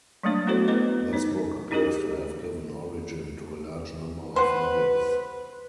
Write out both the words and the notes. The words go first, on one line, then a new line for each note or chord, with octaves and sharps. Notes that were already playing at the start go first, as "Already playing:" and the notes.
This book appears to have given origin to a large number of novels.
F#3 G3 A3 A#3 D4 C#5
B3 E4 F#4 A4 C5 C#5
B3 E4 B4 C#5 D#5 D6
D#4 C#5
D#4 E4 G4 G#4 A#4 D#5
B4 C5 F#5